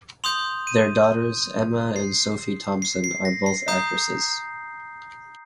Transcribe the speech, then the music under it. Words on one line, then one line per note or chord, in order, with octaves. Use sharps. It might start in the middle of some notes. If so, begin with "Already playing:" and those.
Their daughters, Emma and Sophie Thompson, are both actresses.
C6 D#6 G6 F7
D#7
C7
C7
C7
A#6
C7
A#5 D#6 G6 C7